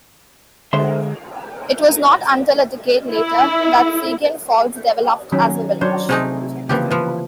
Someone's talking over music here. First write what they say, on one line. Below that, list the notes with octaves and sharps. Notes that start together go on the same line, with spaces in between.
It was not until a decade later that Seguin Falls developed as a village.
D3 G#3 C5 E5 C6
E4
D#3 F#3 C#4
F#3 D4 C5 C#5
C3 A3 C4 D#4 G#4
C#3 E3 F3 A#3 G4
E3 F3 B4